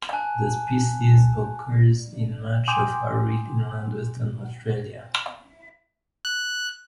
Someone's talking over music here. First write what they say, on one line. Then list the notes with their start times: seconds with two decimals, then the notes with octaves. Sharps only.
The species occurs in much of arid inland Western Australia.
0.13 G#5 A5 F#6
2.68 G5 G#5 C6 D6 D#6 G6
6.25 F#6